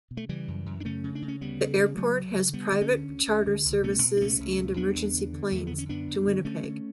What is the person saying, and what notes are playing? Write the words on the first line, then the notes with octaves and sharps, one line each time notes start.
The airport has private charter services and emergency planes to Winnipeg.
B2
A3
C#3 E3 G3
F#2
F#2
D4
C#3 A3 C#4
C#3
D4
C#3
C#4
D2 G3 B3
C#3
C#3
C#3 F#3 A3
D2
C#3
D3 G3 B3
D3
A3 C#4
D2
D2
D2
D3
C#2
B2 A3 C#4
B2
D4
C#2 A3 C#4
C#2
B2
E2 B3 D4
E2
D3
D3
E2 A3
D3 B3
C#4
F#2 B3 D4
F#2
D3
D3 A3 C#4
D3